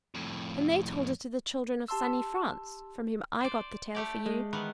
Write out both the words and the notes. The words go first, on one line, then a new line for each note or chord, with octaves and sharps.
And they told it to the children of sunny France, from whom I got the tale for you.
F2 A2
G4 A5 C6 E6
C5 D5
A3 G4 D5
G#3
D#3 E3 B3